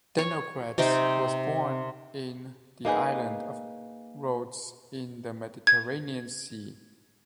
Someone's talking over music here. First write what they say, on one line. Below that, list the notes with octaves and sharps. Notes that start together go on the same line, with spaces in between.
Denocrates was born in the island of Rhodes in the Mediterranean Sea.
C#5
C3 C4 D#4 G5
A#3 D#4 G#4 B4
G#6